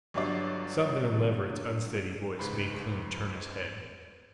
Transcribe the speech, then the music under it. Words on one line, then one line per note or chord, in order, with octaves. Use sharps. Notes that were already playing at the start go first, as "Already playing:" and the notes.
Something in Leverett's unsteady voice made Kloon turn his head.
G1 G2 F#3 C#5 D5 C7
C#2 G#2 B4 C5 B5